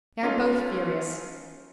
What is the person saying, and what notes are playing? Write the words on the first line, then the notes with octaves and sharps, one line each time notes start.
They are both furious.
C#4 D#4 F4 A4 F5